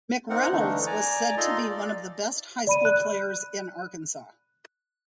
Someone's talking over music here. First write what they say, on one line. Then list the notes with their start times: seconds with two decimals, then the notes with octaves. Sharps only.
McReynolds was said to be one of the best high school players in Arkansas.
0.30 A#3 C4 D#4 A#4 F#5
0.52 D3 E3 A3 D4 D#4
0.86 D5 G#5 A#5 D6
1.37 D#4 F4 A4 D#5 C6
1.71 D5
2.67 D5 B5 D#7
2.85 F#6